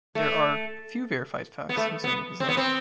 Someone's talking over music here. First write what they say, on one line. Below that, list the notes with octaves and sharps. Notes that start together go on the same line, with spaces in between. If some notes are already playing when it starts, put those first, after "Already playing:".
There are few verified facts concerning his life.
A3
B3
A3
B3
C4
B3
C4